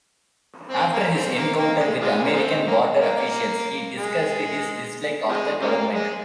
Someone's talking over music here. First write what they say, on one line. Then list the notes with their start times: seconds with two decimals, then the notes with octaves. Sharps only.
After his encounter with American border officials, he discussed his dislike of the government.
0.70 C4
0.92 A#3
1.14 C4
1.36 A#3
1.58 A#3
1.79 G#3
2.01 C3 F3 G#3
2.23 A#3
2.34 F3 G#3 C4
2.67 A#3
3.00 A#3
3.16 A#3
3.98 G#3
5.29 C3 F3 G#3
5.61 C#3 G3 A#3
5.94 G#3